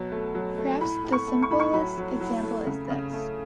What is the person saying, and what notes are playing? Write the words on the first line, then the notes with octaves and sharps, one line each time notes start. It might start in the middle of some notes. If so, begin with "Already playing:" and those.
Perhaps the simplest example is this.
Already playing: B2 F#3
A3
F#3
A3
A2 B5
A2
C#6
A3
C#6
A2 B5
C#6
F#3 B5
F#3
F#3
A3
C#3
C#3
A3